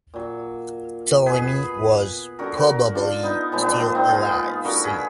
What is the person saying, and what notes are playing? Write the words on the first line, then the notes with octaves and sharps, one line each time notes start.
Ptolemy was probably still alive "c".
A#2 F#3
B2 F#3 G#4 B4
D3 F#3 F#4 A#4
F#4 A#4
D4 F4
B3 D#4
A#2 F3 G#3 B3 D#4
A#3 B3 D4
B3
B3 D#4
F4 G#4
D3 F#3 F#4 A#4
G#4 B4